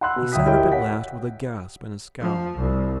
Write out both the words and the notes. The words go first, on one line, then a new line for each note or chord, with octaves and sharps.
He sat up at last with a gasp and a scowl.
F#5 B5 C6 E6 F#6
B2
D2 E5 G5 D#6 B6
E4 G4 A#4 C#5 D#5 G5
C#5 F#5 B6
F3
C2